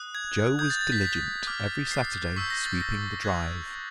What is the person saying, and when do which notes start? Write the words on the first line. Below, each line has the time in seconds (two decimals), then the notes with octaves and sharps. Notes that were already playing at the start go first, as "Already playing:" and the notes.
Joe was diligent every Saturday sweeping the drive.
Already playing: D#6 F#6
0.15 G#6
0.59 D#6 G6 G#6
0.70 A6
0.81 A6
0.92 B6
1.03 B6
1.47 D6 F6
1.91 C7
2.36 C#6 E6 G6 B6
2.50 A#6
2.65 A6
2.80 A#6
3.24 D#6 F#6 G#6